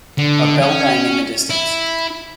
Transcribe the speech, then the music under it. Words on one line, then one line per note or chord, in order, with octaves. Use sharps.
A bell rang in the distance.
D3
C#4
E4